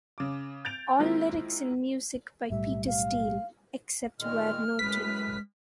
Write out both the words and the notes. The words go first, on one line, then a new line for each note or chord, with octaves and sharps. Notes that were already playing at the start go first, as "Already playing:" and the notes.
All lyrics and music by Peter Steele, except where noted.
C#3 D6
G6 A6 D7 F7
D#3 G#3 A#3 C4 E4 F4
B1 A2 G3 E5
F5
A#2 D#3 G#3 F6
F#2 A2 G#3 B4 B6